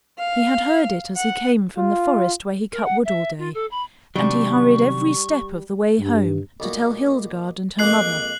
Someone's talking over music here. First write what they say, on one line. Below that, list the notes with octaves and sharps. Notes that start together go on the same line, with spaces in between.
He had heard it as he came from the forest where he cut wood all day and he hurried every step of the way home to tell Hildegarde and her mother.
F5
F#5
F4
A#4
F#5
E5
F4
A4
B5
C3 D#3 F#3 G3 D4 C#6
G2
B1 A#2 F#4
F2 G#3 A#3 F#6 C7 F#7